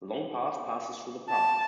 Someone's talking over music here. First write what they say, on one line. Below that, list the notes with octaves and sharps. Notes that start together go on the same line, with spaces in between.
The Long Path passes through the park.
A5